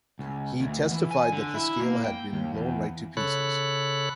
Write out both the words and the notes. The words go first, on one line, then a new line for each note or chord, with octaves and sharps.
He testified that the scale had been "blown right to pieces".
C#2
D2
E3
G#5
D3
E4
A#3
G5
D#2
E2
C#3 A4 C#5 B5 F#6